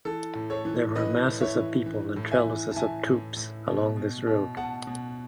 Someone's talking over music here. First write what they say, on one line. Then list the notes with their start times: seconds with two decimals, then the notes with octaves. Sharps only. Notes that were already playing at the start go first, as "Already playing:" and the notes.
There were masses of people and trellises of troops along this road.
0.05 E3 A4
0.35 A2
0.50 A4 C#5
0.65 E3
0.95 E3 B4 D#5
1.26 A2
1.41 C#5 E5
1.56 E3
1.86 E3
2.16 A2
2.31 E5 G#5
2.46 E3
2.71 A5
2.76 E3 E5 G#5
3.06 A2
3.36 A2
3.67 B2
3.97 B2
4.27 B2
4.57 B2 F#5 A5
4.87 B2